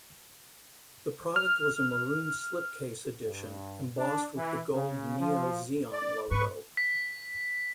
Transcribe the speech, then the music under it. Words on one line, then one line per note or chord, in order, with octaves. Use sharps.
The product was a maroon slipcase edition embossed with the gold Neo Zeon logo.
F6
G2
D4
E3
C#3
F3
D5
G#2 B4 C#6
B6